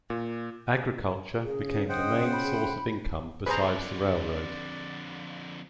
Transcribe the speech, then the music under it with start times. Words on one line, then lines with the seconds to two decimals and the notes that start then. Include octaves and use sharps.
Agriculture became the main source of income besides the railroad.
0.10 A#2
1.43 C#3 G#4
1.89 G#4 C5 D#5 F#5 G5 D#6
2.31 B5
3.46 F2 D3 G#4 B4 C5 D5 A#5